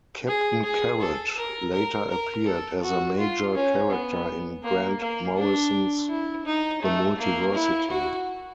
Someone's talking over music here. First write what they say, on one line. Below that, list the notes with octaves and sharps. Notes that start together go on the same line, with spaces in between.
Captain Carrot later appeared as a major character in Grant Morrison's "The Multiversity".
G#4
G#4
A4
A#4
A#4
A#4
A4
F#4
F4
C#4
B3
A#3
A#3
D4
E4
D#4
A3
A#3
E4
F#4